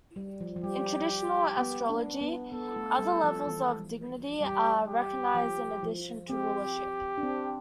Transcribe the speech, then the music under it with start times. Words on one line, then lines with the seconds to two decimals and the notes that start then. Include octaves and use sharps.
In traditional astrology, other levels of Dignity are recognised in addition to Rulership.
0.16 G3
0.41 F3
0.56 F3
0.64 G3 G4
1.57 B3
1.90 D4
2.21 B3
2.52 B3 A4
2.76 A3
2.99 G3
3.24 F3
3.47 E3
4.41 G3 G4
4.88 G4
5.35 F3
5.83 F3
6.30 C4 G4
7.18 D4
7.23 C4